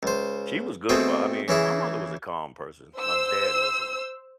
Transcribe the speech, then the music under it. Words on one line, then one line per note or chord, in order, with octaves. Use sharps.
she was good about I mean, my mother was a calm person, my dad was a
C#2 C5
B2 A3 C4 G#4 G5
C#3 E3 E4 G#4
C5 E6